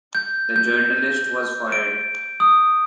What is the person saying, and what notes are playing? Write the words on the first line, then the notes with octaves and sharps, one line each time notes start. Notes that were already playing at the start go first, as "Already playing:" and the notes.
The journalist was fired.
G6
G6
D7
D#6